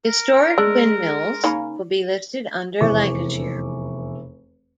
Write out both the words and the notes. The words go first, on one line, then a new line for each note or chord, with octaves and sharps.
Historic windmills will be listed under Lancashire.
A#4
G#3 D4 E6
C#3 A#3 C#4 D#4 A#5 B5
F1 E2 E5 C#6 D6